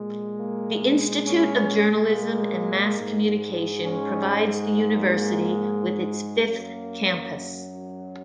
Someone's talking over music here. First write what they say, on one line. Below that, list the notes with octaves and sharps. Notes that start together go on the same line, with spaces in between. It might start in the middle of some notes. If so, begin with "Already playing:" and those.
The Institute of Journalism and Mass Communication provides the university with its fifth campus.
Already playing: A#2 G#3
A#3
C#4
A#3
G#2 G#3
C#4
A#3 D#4
F#2 F#3 A#3